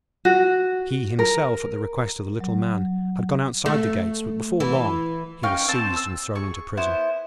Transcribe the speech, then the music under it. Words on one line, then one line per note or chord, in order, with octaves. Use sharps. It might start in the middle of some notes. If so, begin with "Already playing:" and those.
He himself, at the request of the Little Man, had gone outside the gates; but before long he was seized and thrown into prison.
F#4
A#4
F#3
A3
E3
C#4 D#4 F5 G5
C4 C5 A5
E6
G#4 C#6
B3 E4 C5